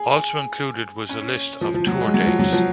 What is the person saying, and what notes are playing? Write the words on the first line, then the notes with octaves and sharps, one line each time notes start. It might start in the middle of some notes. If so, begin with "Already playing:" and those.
Also included was a list of tour dates.
Already playing: G#4
C#4
F3
F3
F#3
G#3
F#3
F3
F#3
F3